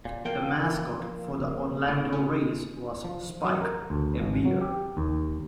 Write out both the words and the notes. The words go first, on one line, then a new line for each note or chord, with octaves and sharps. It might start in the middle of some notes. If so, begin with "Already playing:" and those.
The mascot for the Orlando Rays was "Spike", a bear.
A#2
F3 A#3 G5
A2
C#4
F3
F#3
A#4
D2
G#1
F#3
G4
D#2